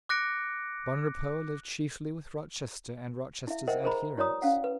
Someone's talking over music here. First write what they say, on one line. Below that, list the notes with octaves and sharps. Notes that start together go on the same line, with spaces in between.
Bonrepaux lived chiefly with Rochester and Rochester's adherents.
D6 F#6 A#6 C#7 D7
E4 E5
A#4 C5 D#5 E5 F#5 G5
G#4 A#4 C5 D#5 A#5 B5
E4 F#4 C#5 D5 A#5 D#6
C#4 F5 F#5
B4